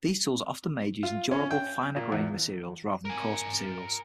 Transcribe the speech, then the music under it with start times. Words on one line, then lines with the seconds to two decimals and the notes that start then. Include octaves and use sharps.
These tools are often made using durable finer-grained materials rather than coarse materials.
1.03 F4
1.31 C#4
1.51 G5
1.96 A#2
2.12 E2
3.05 A#4 G#5